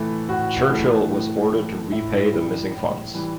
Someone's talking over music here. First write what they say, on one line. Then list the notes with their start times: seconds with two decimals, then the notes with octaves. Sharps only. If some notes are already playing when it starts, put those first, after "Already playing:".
Churchill was ordered to repay the missing funds.
Already playing: A2 E3 A3
0.29 A2 F#4
0.69 E3 A3
1.11 A2
1.51 E3 A3
1.92 A2 E4
2.33 E3 G3
2.74 A2
3.14 E3 G3